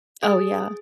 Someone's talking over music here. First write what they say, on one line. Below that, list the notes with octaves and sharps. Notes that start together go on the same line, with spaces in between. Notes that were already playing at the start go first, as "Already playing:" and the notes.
Oh, yeah.
G#4